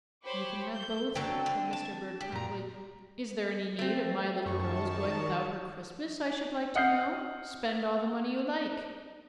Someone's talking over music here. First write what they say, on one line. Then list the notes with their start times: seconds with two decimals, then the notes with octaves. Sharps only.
"You can have both," said Mr. Bird, promptly; "is there any need of my little girl's going without her Christmas, I should like to know? Spend all the money you like."
0.24 G4 C5 C#5 B5 C#6 D6
0.72 G6
1.15 D3 F#3 C4 A4 G5
1.46 D3
1.73 A5
2.21 G4
2.32 A#2 A#5
3.79 A3 C4
4.46 F#2 D#3 A5 C#6
6.75 D#5 F#5 D#6 F6 G6 C7